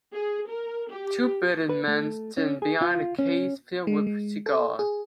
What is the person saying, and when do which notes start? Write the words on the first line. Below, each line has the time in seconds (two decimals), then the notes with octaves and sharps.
Two bearded men stand behind a case filled with cigars.
0.14 G#4
0.48 A#4
0.90 G4
1.69 B4
1.88 A3
2.37 C#4
2.62 G#4
2.82 F4
3.19 C#4
3.87 G#3
4.07 G#3
4.46 A4
4.79 G#4